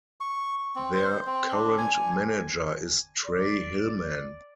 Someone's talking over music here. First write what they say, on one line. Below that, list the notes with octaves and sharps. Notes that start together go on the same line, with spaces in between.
Their current manager is Trey Hillman.
C#6
C4
C5
C4
D4
G#5
D5